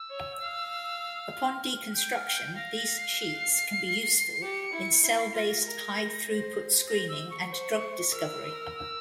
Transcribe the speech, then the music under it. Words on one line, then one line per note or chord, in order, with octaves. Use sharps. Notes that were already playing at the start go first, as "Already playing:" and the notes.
Upon deconstruction, these sheets can be useful in cell-based high-throughput screening and drug discovery.
Already playing: E6
C#5
F5
F6
G5 G6
F6
G5
G6
F5 A#6
A#6
C7
G4 C#7
E4
E4 C7
C7
F4 A#6
A#6
A#4
C5
A#6
E6
C#6
C5
A#4 E6
E6